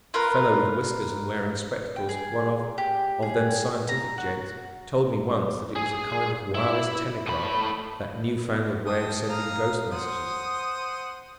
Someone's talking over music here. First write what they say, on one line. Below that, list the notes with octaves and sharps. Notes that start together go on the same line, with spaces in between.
A fellow with whiskers and wearing spectacles one of--of them scientific gents--told me once that it was a kind of wireless telegraph, that newfangled way of sending ghost messages.
F4 A#4 B4
G5
G#4
G4
G#4
A#5
F#4
G#4
E4
A2 B5
G5 A5 D#6
F5 A#5 D#6
C5 F#5 D#6